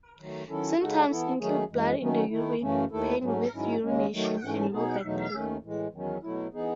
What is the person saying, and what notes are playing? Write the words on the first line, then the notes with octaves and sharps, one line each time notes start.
Symptoms include blood in the urine, pain with urination, and low back pain.
D#3 F#3 A3
D#3 F#3 C#4 E4 A4
C#3 G#3 D#4 F#4 A4
E3 B3 E4 A4
D#3 F#3 A3 C#4 G#4
F#2 E3 G#3
D#3 F#3 A3 C#4
D#3 A3 E4
F#2 C#3 E3 A3 C#4
D#2 D#3 A3 E4 A4
G#2 F#3 A3 C#4
G#2 D#3 F#3 C#4 E4
D#2 C#3 G#3 C#4
D#3 F#3 A3
G#2 E3 A3 C#4
B2 F#3 B3 D#4 G#4
E2 B2 F#3 A3 D#4
D#2 D#3 A3 C#4
A2 E3 G#3
E2 D#3 F#3 C#4
B2 F#3 A3 E4
E3 B3 D#4 G#4